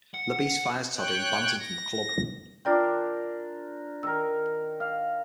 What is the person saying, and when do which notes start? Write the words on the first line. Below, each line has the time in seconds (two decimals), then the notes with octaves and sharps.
Labisse fires Toddy and bans him from the club.
0.14 F#5
0.97 C#5 G5 F#6
1.59 A#6
2.65 D4 F4 A#4 C5 D5 G5
4.03 D#3 A#4 E6
4.80 F5